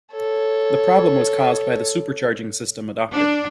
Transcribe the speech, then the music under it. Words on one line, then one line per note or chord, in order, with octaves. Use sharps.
The problem was caused by the supercharging system adopted.
A4 C#5
D4